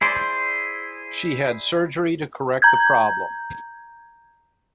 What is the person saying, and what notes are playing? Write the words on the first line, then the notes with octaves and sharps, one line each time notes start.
She had surgery to correct the problem.
E4 G#4 C5 D5
A#5 G6 G#6